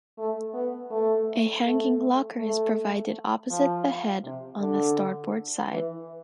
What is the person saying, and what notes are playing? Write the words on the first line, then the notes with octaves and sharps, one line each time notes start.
A hanging locker is provided opposite the head on the starboard side.
A3
B3
A3
A3
A3
F3
C3
D3
E3